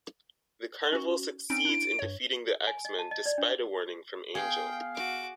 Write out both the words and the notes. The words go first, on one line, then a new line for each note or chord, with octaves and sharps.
The carnival succeeds in defeating the X-Men despite a warning from Angel.
C#4 F#4
C4 C#4 D#4 D7
D4 E4
G2 C#5
G#5
D#5
A5
D#5
D5
D4
B3 G#4 F5 G5
F#4 D6